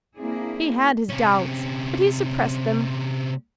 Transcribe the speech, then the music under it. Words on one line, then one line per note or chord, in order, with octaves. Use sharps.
He had his doubts, but he suppressed them.
A#3 C4 D4 E4 G#4
C3 C#4